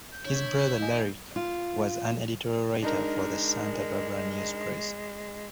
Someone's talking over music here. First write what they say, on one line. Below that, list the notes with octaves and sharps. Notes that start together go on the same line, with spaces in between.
His brother, Larry, was an editorial writer for the "Santa Barbara News-Press".
G6
D3 E4 C#5
A#3 D#4 D#5 G#5
F4
G#3 D4 D#4 A#4